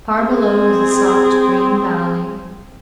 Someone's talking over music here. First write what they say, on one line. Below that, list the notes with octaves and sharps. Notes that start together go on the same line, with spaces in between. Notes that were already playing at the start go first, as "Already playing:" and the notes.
Far below was a soft, green valley.
C4 G#4